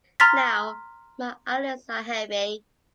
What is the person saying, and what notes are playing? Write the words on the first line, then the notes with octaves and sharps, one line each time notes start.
Now my eyelids are heavy.
A#5 C6 F6 A6 B6